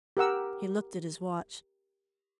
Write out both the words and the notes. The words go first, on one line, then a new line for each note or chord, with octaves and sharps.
He looked at his watch.
G4 A#4 F#5 E6